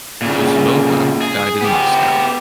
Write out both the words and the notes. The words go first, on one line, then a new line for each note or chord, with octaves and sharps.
Kozlova died in Moscow.
A#2 C#3
G#4
B3 G4